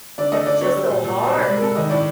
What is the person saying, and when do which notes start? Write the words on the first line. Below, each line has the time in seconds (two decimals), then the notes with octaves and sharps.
They're just so hard.
0.18 D3 D5
0.32 A3 D#5
0.46 D3 D5
0.61 F#3 C#5
0.75 G3
0.89 A#2
1.04 A#2
1.18 G3
1.27 C5
1.33 C3 B4
1.42 G#3 D5
1.56 A#4
1.62 C3 A4
1.76 D#3 D#5
1.90 A2 D5